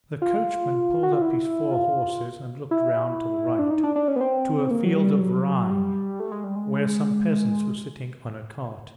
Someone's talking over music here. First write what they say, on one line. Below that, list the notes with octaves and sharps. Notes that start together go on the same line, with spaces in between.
The coachman pulled up his four horses and looked round to the right, to a field of rye, where some peasants were sitting on a cart.
F4
F#4
F4
E4
F4
E4
D4
D#4
D4
D4
C#4
B3
C4
A#3
F#3
G3
F#3
G3
A3
G#3
G3
G#3